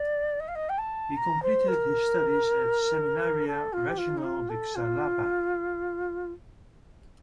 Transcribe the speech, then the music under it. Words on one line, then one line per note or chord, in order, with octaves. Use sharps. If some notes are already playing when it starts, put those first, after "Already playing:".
He completed his studies at Seminario Regional de Xalapa.
Already playing: D5
D#5
F5
D#5
G5
A5
A#5
C5
A#4
A4
F4
G4
F4
D#4
F4
A4
F4